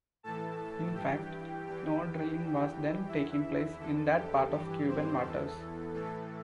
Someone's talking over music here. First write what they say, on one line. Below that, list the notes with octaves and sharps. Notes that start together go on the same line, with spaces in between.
In fact, no drilling was then taking place in that part of Cuban waters.
A2 E3 A4 A5
G2 E3 G4 G5
E2 E3 G4 G5
E2 E3
E2 E3 E4 E5
E2 D3 A4
G4
G2 E3 G4
C4 C5
E2 E3 A4
A2 E3 A4